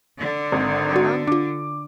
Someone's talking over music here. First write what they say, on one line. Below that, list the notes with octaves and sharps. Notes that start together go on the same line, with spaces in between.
my mom,
D3
G#1
F#4
D4 F4 D6